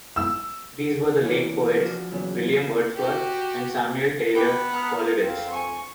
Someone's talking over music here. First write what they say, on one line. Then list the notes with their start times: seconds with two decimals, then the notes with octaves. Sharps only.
These were the Lake Poets William Wordsworth and Samuel Taylor Coleridge.
0.16 E6
1.23 E3 A#3 D4 C#5
1.79 F3 D4 F#4
2.11 E2 A#2 C#3 F#3 B3
2.95 F#4 G4
4.35 B3 G5 D6
4.73 A#5 D#6 F6
5.22 F2 C4 F5
5.54 G#5 C#6